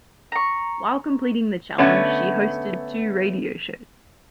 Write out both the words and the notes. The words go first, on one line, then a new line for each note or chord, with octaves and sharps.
While completing the challenge she hosted two radio shows.
A#5 C#6
D3 A3 B3 C#4